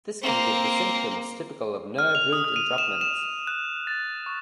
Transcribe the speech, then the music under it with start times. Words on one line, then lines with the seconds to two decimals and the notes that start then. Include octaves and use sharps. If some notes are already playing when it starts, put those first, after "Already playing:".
This can give the symptoms typical of nerve root entrapment.
0.22 A#3 C4
1.99 F6
2.15 F7
2.33 D#6
2.44 F6
2.56 D#7
2.78 E7
3.01 E7
3.47 F#6
3.87 A6
4.26 C#6